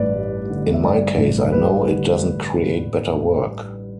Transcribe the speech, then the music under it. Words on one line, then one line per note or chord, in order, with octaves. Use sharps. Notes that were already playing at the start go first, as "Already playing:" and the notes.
In my case I know it doesn't create better work.
Already playing: A1 G2 B4 D5
G3
D3
E5
G2 D5
A1
G3 B4
D3